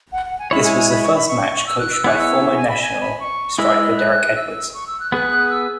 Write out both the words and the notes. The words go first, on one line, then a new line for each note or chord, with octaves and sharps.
This was the first match coached by former national striker Derrick Edwards.
F#5
F#5
G#5
G#3 E4 C#5 B5
G#5
G#5
B5
C#6
B5
C#6
E6
F#6
E6
B3 E4 G#4 C#5 F#6
E6
G#5
B5
G#5
B5
C#6
G#3 E4 G#4 B4 E6
F#6
E6
C#6
E6
F#6
B3 G#4 B4 F#6
E6